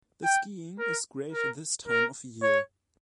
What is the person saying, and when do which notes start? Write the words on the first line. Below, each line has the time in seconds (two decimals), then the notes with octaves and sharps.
The skiing is great this time of year.
0.24 G5
0.79 A#4
1.32 A#4
1.88 A#4
2.42 C#5